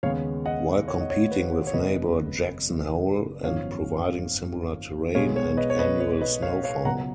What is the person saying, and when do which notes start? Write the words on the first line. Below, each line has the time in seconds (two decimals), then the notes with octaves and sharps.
While competing with neighbor Jackson Hole and providing similar terrain and annual snowfall.
0.03 D#2 C#3 G#3 B3 C#5 F5
0.46 D#5 F#5
0.88 C#5
1.01 D#5
1.10 C#5
1.31 B4
1.52 C#5
1.67 C#5
1.73 F#1 F2 C#3 G#3 B3 B4 D#5
3.44 G#1 F#2 F3 B3 C#5 F5
5.15 B1 B2 G#3 B3 C#5 F5
5.36 C#5
5.57 B4 D#5
5.70 C#5
5.79 B4 D#5
6.00 C#5
6.21 B4 D#5
6.42 C#5 F5
6.64 C#5 F5
6.85 C#2 B2 F#3 F#5 A#5